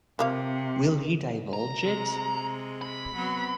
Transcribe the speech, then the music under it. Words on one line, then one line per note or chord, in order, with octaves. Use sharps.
Will he divulge it?
C3 F3 A#3 F5
A#5
C3 G#3
B5
F#3 B3 C4